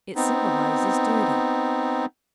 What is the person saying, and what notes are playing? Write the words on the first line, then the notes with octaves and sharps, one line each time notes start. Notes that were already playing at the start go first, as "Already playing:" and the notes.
It symbolizes duty.
B3 C4 D#4